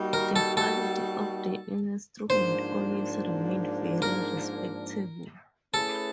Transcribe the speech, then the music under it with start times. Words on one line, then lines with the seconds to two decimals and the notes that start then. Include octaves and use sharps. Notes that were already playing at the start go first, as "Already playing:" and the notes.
The quality of the instruments always remained very respectable.
Already playing: G3 A#3 D#4 F#4
0.13 A#4
0.36 A4
0.57 A4
2.29 G#2 F3 A#3 D4 C5
4.02 A#4
5.74 A3 C#4 E4 G#4 A4 B4